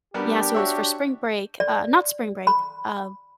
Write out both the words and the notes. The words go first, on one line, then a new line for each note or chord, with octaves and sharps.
Yeah, so it was for spring break uh, not spring break, uh,
G3 B3 D4 G4 A#4
F#4 C#5 E5
D5
B5